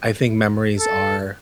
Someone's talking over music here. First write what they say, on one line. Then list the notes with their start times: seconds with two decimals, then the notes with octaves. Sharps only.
I think memories are
0.79 A4